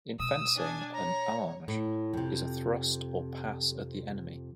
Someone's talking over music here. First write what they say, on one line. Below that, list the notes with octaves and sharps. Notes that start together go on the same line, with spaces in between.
In fencing, an allonge is a thrust or pass at the enemy.
B2 G#3 D#6 E6
D4 G#5
C#5 A#5
A2
F2 C3